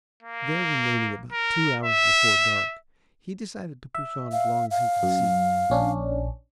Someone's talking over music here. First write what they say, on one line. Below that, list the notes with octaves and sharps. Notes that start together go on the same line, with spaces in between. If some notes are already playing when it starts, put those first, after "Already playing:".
There remaining about two hours before dark, he decided to push on as long as he could see.
A#3
A#4
E5
E5
F5
F5
F#2
A#1 C#4 D4